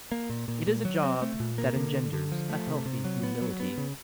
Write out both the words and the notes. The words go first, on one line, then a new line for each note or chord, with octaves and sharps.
It is a job that engenders a healthy humility.
A#3
A#2
A#2
A#2
F#3
C4
A3
A#2
A#3
D3
D3
D3
F3
A3
C3
C3
F#3
B3
F#3
B3
C#3